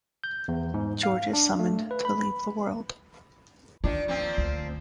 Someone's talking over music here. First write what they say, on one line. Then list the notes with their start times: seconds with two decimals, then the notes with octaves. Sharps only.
George is summoned to leave the world.
0.24 G6
0.48 E2
0.74 G#2
1.03 F5
1.33 D4
1.59 A3
1.91 B4
2.05 B5
3.84 D#3 D4 F4
4.08 F3 A#3 C4
4.38 D2